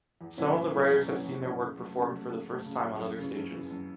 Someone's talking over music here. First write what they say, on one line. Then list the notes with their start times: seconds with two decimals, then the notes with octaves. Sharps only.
Some of the writers have seen their work performed for the first time on other stages.
0.21 E2
0.37 B2 F#3 C#4 E4
0.55 E2
0.72 B2 F#3 C#4 E4
0.90 E2
1.07 B2 F#3 C#4 E4
1.26 E2
1.42 B2 F#3 C#4 E4
1.60 C#3
1.78 F#3 A3
1.96 C#3
2.12 F#3 A3
2.30 C#3
2.48 F#3 A3
2.66 C#3
2.82 F#3 A3
3.00 F#2
3.18 C#3 E3
3.35 F#2
3.52 C#3 E3
3.70 F#2